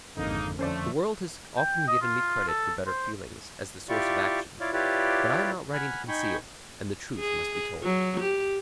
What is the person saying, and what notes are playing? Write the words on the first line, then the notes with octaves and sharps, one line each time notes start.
The world has often given me credit for better feelings, as the source of action, but I am not writing to conceal, and the truth must be told.
G#1 F2 D3 A#3 D#4
F3 A3 C#4 C5 D5
G5
D#5
F4
A4
C5
E4 F4 G4 D5 C#6
E4 F4 C#5 D5 F5
E4 F4 G4 B4 C#5 D5
F#5 G#5 B5 F6
D#4 G5 G#5 B5 C#6
G#4
F#3
G4